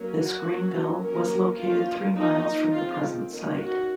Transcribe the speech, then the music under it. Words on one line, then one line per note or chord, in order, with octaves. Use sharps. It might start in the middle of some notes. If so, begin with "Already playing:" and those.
This Greenville was located three miles from the present site.
Already playing: F#3 A#3 C#4
F#4
F#3 A#3 C#4
F#3 A#3 C#4 A#4
F3 A#3 C#4 F4
F3 A#3 C#4 D#4
F3 G#3 C4 F4
D#3 A#3 C#4
F#4